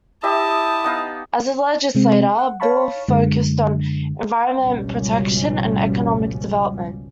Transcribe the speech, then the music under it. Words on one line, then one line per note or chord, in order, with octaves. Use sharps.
As a legislator, Bill focused on environmental protection and economic development.
E4 G4 D#5 E5 A5 D#6
B3 D#4 F5
C3 G#3 C4
F#5
C#5 F5 A5 B5 C#6
F#2 D3 G#3
G#1 C#2 B2 F3 G3 C#4